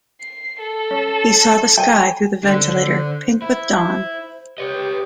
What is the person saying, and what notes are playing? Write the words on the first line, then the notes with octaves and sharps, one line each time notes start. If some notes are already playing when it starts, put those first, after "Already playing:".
He saw the sky through the ventilator pink with dawn.
C7
A4
C#4
G5 G#5
D3 D4 C5
E4
G4 B4 C#5 D#5